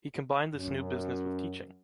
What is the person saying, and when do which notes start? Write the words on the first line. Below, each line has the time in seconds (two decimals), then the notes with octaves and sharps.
He combined this new business with teaching.
0.56 F#2